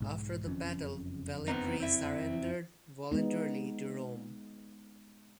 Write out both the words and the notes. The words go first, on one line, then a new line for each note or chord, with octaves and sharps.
After the battle, Velitrae surrendered voluntarily to Rome.
B1 G#2
F#1 F2 C#4
B3 C4 D#4
C4 E4
G#3 B3 D#4